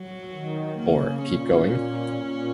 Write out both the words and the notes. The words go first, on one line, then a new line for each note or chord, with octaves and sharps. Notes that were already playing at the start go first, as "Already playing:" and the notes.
Or, keep going?
Already playing: F#3
D#3
C#3 A#3
A#2 C#4
A#2